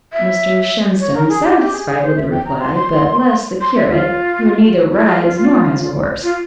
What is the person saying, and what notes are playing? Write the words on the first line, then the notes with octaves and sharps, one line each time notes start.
Mr Shenstone is satisfied with the reply; but less the curate, who neither rides nor has a horse.
E5
C#5
A#4
G#4
G4
G4
G#4
G#4
C5
E5
G5
A#5
C6
C6
C6
E5
F4
E4
F4
F4
F4
F4